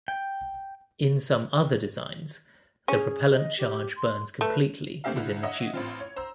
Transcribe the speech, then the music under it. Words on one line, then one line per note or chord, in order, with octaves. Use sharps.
In some other designs, the propellant charge burns completely within the tube.
G5
C#4 G#4
D#5
G4
C6
A3 B4
A3 A#3 C4 G4 E5 F5
C2 D3 E4
C#5 D#5 E5 F#5
A1 C4 F4
C#5
C5 A#5 E6